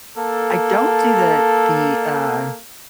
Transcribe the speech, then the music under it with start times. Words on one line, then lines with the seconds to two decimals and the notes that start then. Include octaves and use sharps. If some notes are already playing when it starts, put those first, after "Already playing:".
I don't do the the, uh,
0.18 A#3 A4